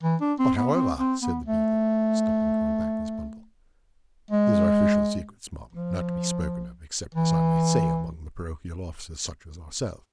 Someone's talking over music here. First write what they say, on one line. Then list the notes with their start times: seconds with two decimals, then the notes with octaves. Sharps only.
But, however,' said the beadle, stopping to unpack his bundle, 'these are official secrets, ma'am; not to be spoken of; except, as I may say, among the porochial officers, such as ourselves.
0.03 E3
0.21 D4
0.39 C4
0.58 B3
0.75 C4
0.99 C4
1.22 B3
1.46 A3
4.31 G#3
5.73 F3
7.15 E3